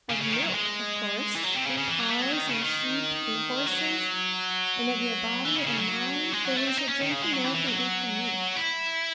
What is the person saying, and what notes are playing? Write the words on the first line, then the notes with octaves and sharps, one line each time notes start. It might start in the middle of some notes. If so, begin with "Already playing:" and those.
Of milk of course, and cows, and sheep, and horses; and of your body and mine--for we shall drink the milk and eat the meat.
C#3
C#3
D#3
F#3
G#3
E3
F#3
C3
C#3
C#3
E3
F#3
A3
F#3
D#3
C#3
D#3
F#3
E3
C#3
C#3
F#3
G#3
F#3
A3
C4
D#4
C#4
D#3
C#3
G#3
F#3
E3
E3
F#3
E4